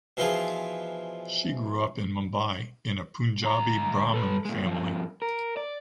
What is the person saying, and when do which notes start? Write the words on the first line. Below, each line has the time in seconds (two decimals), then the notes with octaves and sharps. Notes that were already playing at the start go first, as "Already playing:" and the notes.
She grew up in Mumbai in a Punjabi Brahmin family.
0.17 B2 E3 F3 C4 F4 G#4
3.43 D2 A#5
4.14 A4 B4
4.45 A#2 G#3
4.66 G2 F3
5.22 A#4
5.57 D5